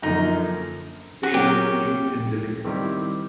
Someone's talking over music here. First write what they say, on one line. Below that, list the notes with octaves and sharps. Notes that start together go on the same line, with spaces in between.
They looked new and living.
F#2 D3 F3 A#3 D#4
F#4
A#2 F#3 A#3 C#4 G4
D#3 G3 C4 E4 G4